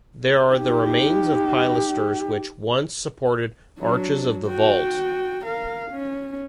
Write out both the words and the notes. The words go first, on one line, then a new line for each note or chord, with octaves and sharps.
There are the remains of pilasters which once supported arches of the vault.
D#4 G4
F#3 D4
F#4 G5
A#4 F5
C#4